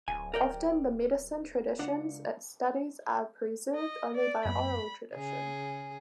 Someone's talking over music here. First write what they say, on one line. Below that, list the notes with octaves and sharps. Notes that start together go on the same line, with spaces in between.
Often, the medicine traditions it studies are preserved only by oral tradition.
D1 G#5
A#4 D5 G5
C#2 D4 F#5
D#5
D5
F#2 A#3 B3 B5
C#3 G#4